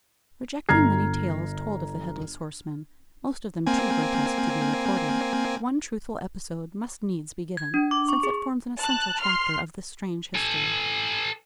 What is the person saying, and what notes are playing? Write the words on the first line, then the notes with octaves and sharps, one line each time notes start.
Rejecting many tales told of the Headless Horseman--most of them too grotesque to be recorded--one truthful episode must needs be given-- since it forms an essential chapter of this strange history.
G1 A#5 F6 G#6 C7
A#3 C4 G#5
G#6
D4
D6
C#6
G#4
A5 F#6
C6 F6 C7
A4 G#5